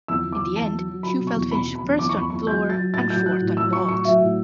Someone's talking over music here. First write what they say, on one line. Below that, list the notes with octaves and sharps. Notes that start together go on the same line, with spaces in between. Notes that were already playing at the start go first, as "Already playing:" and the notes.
In the end, Shewfelt finished first on Floor and fourth on Vault.
E2 E6
E2
D6
E3
E2 A5
F#3
F#3
F#3 B5
B2
C#6
E2
B2 B5
B2
B5
E2
E2 D6
C#6
E2 B5
E2 C#6
F#3 G6
F#3
A6
F#3
A2 A6
F#3 G6
F#3 F#6
A2
F#3 E6
F#3 C#6
A2 C#6
F#3 E5
A2